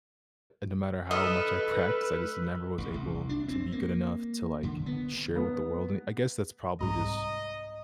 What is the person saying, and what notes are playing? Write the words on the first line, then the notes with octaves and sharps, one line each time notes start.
no matter how much I practice, I just never was able to be good enough to, like, share with the world and I guess that's probably just
A4 B4 D#5 E6 F6 B6
A1
C2
D4
C4
A#3
D3
B3
B3
C2 G#2 D#5 A#5